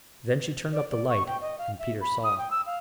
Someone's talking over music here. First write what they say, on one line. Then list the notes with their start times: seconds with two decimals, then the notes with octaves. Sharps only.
Then she turned up the light, and Peter saw.
0.73 D5
0.90 D5
1.09 C#6
1.27 G5
1.42 D#5
1.58 F5
1.79 E5
2.01 B5
2.23 D#6
2.38 G5
2.51 E6
2.66 F5